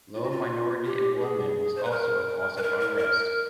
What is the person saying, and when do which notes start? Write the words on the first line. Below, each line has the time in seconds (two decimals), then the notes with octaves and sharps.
Low minority enrollment was also a cause of unrest.
0.15 F4
0.23 F#4
0.31 F4
0.85 G4
1.21 G#4
1.76 C5
1.84 B4
1.91 A#4
2.57 B4
2.63 A#4
2.80 A#4
2.98 A#4